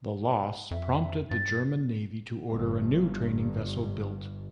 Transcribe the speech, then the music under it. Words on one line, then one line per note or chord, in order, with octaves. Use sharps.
The loss prompted the German Navy to order a new training vessel built.
F2 E5
G2 A6
G1 G2